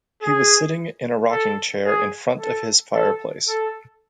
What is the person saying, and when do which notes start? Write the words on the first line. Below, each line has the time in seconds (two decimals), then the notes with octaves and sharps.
He was sitting in a rocking chair in front of his fireplace.
0.22 G#4
1.31 A4
1.86 G#4
2.40 A4
2.94 A4
3.49 A4